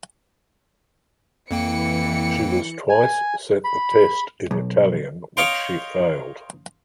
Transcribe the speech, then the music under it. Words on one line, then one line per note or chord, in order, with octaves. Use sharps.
She was twice set the test in Italian, which she failed.
F2 E3 A#3 G5 C#7
G#5
B5
B1
C#5 D#5 F5 G5 C6